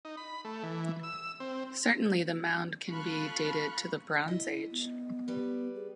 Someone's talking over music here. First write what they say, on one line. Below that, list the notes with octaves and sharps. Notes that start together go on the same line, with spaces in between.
Certainly the mound can be dated to the Bronze Age.
D#4
B5
A3
E3
E6
C4
F4 A4 B5 C#6 F6 F#6
E4 D#5 E5
B3
G3 B4
G#4